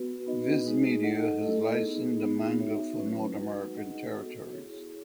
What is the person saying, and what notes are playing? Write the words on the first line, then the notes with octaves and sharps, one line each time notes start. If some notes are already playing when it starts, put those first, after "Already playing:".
Viz Media has licensed the manga for North American territories.
Already playing: B3 F#4 B4
B3 D#4 F#4 B4 D#5
G#3 D#4 G#4
D#4 A4 D#5 F#5
A3 E4 A4 D#5
B3 D#4 G#4
B3 D#4 G#4
D#4 F#4 C#5 E5
F#3 A3 C#4 E4 B4
G#3 D#4 F#4 B4 F#5
D#4 G#4 D#5 F#5
B3 F#4 A4
E4 G#4 C#5